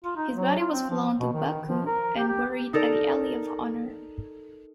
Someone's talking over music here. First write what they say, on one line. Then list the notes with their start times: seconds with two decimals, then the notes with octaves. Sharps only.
His body was flown to Baku and buried at the Alley of Honor.
0.04 F4
0.17 D#4
0.33 F#3
0.59 F4
0.71 C4
0.90 F3
1.19 B2
1.33 D#3
1.67 F3
1.86 A#4
2.16 G4
2.28 G4
2.73 D#4 A4 A#4 D5